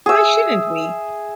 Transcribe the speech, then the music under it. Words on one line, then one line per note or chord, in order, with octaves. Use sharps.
Why shouldn't we?
G#4 E5